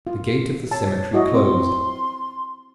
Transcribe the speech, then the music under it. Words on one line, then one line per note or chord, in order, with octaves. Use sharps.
The gate of the cemetery closed.
F4
C#5 A5
E4 F#4 D#5
C4 C6